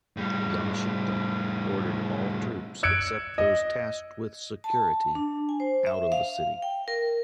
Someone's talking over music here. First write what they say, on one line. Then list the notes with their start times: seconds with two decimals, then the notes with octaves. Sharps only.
Yamashita ordered all troops, except those tasked with security, out of the city.
0.17 A2 G3
2.83 E6 F#6 G#6 C#7 D7
3.38 D#5
4.64 A5
5.15 D4
5.49 G#5
5.60 C5
5.86 E5
6.12 F5
6.62 G5
6.88 A#4